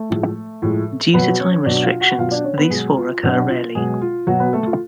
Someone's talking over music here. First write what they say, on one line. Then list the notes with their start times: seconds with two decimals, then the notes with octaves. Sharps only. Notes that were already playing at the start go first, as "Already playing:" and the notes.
Due to time restrictions, these four occur rarely.
Already playing: A3 A4
0.10 A2 F3 G#3
0.62 A2 F3 G#3
1.13 B2 F#3 B3 B4
1.39 C#4 C#5
1.66 B2 F#3 D4 D5
1.83 F4 F5
2.01 F#4 F#5
2.18 B2 F#3 F4 F5
2.31 D4 D5
2.44 C#4 C#5
2.57 B3 B4
2.70 B2 F#3 G#3 G#4
2.97 F4
3.23 B2 F#3 D4
3.49 F4
3.75 B2 F#3 G#3 G#4
4.01 F4
4.27 B2 F#3 F#4
4.40 B3 B4
4.53 A3 A4
4.66 F4